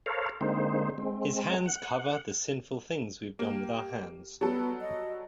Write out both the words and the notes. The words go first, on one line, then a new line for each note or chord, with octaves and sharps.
His hands cover the sinful things we've done with our hands.
A4 A#4 C5 C#5 F5
D3 G#3 A#3 C4 D#4 C5
G#3 C4
F#5
A#3 G4
F#3 G3 B3 A4
D#5